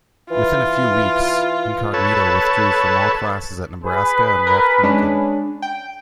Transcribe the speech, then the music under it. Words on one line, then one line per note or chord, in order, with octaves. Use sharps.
Within a few weeks, Incognito withdrew from all classes at Nebraska and left Lincoln.
E3 F4
A4 B4 C#5 A5
G#4 B4
A#4
G#3 C#4 D4
G5